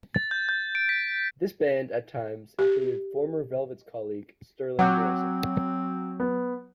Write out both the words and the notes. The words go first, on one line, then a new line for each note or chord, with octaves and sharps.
This band at times included former Velvets colleague Sterling Morrison.
A6
G6
G6
D7
B6
G4
F#3 C4 F#5 D6 G6
B3